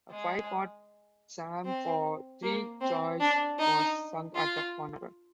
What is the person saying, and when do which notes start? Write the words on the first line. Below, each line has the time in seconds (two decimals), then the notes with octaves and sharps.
A five-part psalm for three choirs was sung at the funeral.
0.11 G#3
1.65 C4
2.42 A#3
2.81 C4
3.20 D4
3.59 D#4
4.36 F4